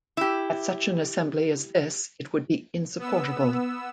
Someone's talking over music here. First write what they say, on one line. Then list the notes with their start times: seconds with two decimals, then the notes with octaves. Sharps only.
At such an assembly as this it would be insupportable.
0.17 E4 G4
2.99 B3 E6